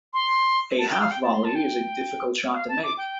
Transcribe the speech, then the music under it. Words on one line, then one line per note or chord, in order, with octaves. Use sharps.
A half volley is a difficult shot to make.
C6
A5
G5
F5
G5
A5
C6
A5
G5
F5
A5
D6
G5